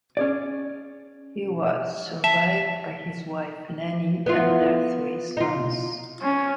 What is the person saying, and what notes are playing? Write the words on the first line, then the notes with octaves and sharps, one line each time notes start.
He was survived by his wife, Lani, and their three sons.
C#4 G#4 D5
E5 A5 B6
B3 E4 F4
D#4 F4
C#4